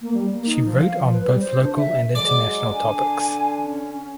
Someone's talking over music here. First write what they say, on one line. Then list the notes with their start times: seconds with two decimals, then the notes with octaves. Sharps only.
She wrote on both local and international topics.
0.01 A#3
0.14 G3
0.33 A#3
0.46 D#4
0.65 F3
0.82 F5
0.96 F3
1.12 B4
1.27 G3
1.39 C5
1.64 D4
1.76 E5
2.15 F#3 G#3 D5
2.73 D3 G#5
3.64 C#4